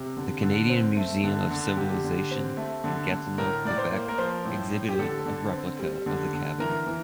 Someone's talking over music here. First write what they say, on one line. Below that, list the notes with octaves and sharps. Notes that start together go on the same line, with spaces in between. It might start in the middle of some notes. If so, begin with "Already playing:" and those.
The Canadian Museum of Civilization in Gatineau, Quebec, exhibited a replica of the cabin.
Already playing: C3
D3
D3
C4
A3
D3
D3
D3 G4
D3
C4
A3
D3
D3
A2 A#4
A2 D5
C5
A#3
A#4
F3 C5
A2
A2
G4
D3 A4
D3
C4
G3
D3
D3
E3 A#4
E3